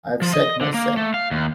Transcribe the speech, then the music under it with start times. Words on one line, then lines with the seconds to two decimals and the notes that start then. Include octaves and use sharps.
I have said my say.
0.22 F3
0.34 D#5
0.61 D3
0.74 A#3
0.97 A3
1.14 F5
1.31 D#2